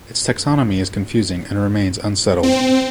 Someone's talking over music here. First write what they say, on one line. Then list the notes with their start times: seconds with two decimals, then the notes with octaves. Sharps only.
Its taxonomy is confusing and remains unsettled.
2.43 C4